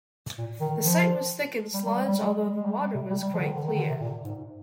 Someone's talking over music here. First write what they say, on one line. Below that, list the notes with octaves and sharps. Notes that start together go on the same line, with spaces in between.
The site was thick in sludge, although the water was quite clear.
A#2
D#3
F3
G3
G3
G3
G3
G#3
G#3
G#3
G3
G3
C3
G3
G3
F3
D3
D#3
D3
D#3
D3
C3
A#2
G#2